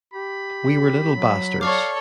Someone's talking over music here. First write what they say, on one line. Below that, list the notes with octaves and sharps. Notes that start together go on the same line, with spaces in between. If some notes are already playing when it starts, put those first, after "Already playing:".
We were little bastards.
G4 B5
F#3
A4 C#5 D5 F5 C#6 D6